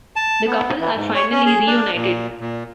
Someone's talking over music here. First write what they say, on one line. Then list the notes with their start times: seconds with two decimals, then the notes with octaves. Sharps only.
The couple are finally reunited.
0.16 A5
0.47 B3
0.81 E3
0.96 G#2
1.14 C#5
1.32 C#4
1.46 G#4
1.67 D4
1.96 A#2
2.41 A#2